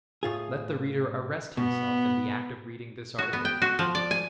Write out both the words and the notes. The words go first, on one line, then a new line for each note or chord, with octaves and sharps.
Let the reader arrest himself in the act of reading this article now.
A2 F4 G#4
B2 B3
F#4
B3
G5
F#4
F3
D5
G#5